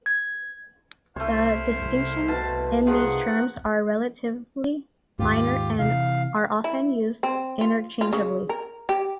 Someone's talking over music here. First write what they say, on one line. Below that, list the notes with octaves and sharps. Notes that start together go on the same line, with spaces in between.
The distinctions in these terms are relatively minor and are often used interchangeably.
G#6
C2 A3 E4 C5 C#5 F5
B2 A5
D#3 F3 G#4 F#5
D#2 G#2 F4 G4
C3 E3 F5
E4
C4
F4
F4
C#3
A#4
G4